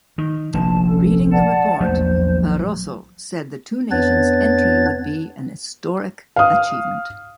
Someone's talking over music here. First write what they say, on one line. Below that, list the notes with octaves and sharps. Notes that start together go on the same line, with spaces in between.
Reading the report, Barroso said the two nations' entry would be a "historic achievement".
D#3
F1 A#1 A#2 A5
C#4 A4
D5 F#5 A5
A#1 E2 F#3 A3 C5
F2 B3 D4 B4 C#5 A6
F5 D#6